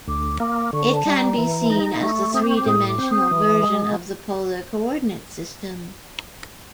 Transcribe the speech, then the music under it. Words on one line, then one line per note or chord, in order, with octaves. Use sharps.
It can be seen as the three-dimensional version of the polar coordinate system.
D2 D6
A#3 D6
D3 C#6
A5
G3
A#5
E3
D#4
A3 C#6
C4 D#6
D6
C#6
D6
A2 D#6
D6
C4
D#6
E3
G#3